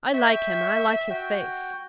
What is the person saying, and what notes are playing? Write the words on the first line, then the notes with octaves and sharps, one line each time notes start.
"I like him, and I like his face."
E5 G5 C#6
F#4 G5